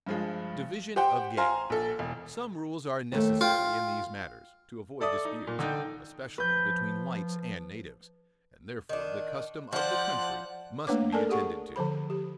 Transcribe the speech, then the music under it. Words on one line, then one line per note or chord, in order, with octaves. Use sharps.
Division of Game.--Some rules are necessary in these matters, to avoid disputes, especially between whites and natives; and therefore the custom of the country must be attended to.
G2 F3 G#3
G4 C5 F#5 G5
C5 F5 G#5 A#5 C6
A#1 A4
E1
D#2 D#3 A3
F4 G5
A4 D5 E5 D#6
D#4
A#2
D3 D#4 G5 G6
F3 B4 G6
D#3 D4
F3 C5 D5 F#5 F#6
A3 A#3 D4 B4 C#5 D6
A4 A#4 D5 G#5 A5
G4 G#4 F#5 C#6
D3 F3 C5 B5
G4